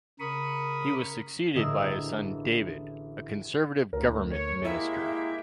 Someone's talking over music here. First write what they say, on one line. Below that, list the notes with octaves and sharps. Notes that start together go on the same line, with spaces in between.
He was succeeded by his son David, a Conservative government minister.
C#3 A#4 B5 C#6 D#6
A1 D3 G#4 A#4 D#5 E6
D2 A#4
C#5
G#3 A#3 E4 G4 E5